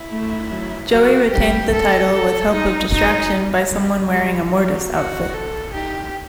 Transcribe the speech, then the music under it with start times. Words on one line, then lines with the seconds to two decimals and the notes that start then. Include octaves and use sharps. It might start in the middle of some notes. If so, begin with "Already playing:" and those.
Joey retained the title with help of distraction by someone wearing a Mortis outfit.
Already playing: E4
0.11 A3
0.51 F#3
0.91 F#3 F#4
1.31 G3 G4
1.72 A4
2.12 A4
2.52 G3 D#4
2.92 F#3 D#4
3.33 G3
3.73 G3
4.13 G3
4.54 F#3
4.94 F#4
5.34 A4
5.74 D#4 G4